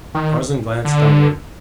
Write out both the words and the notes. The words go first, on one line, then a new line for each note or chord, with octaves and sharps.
Tarzan glanced downward.
D#3
D3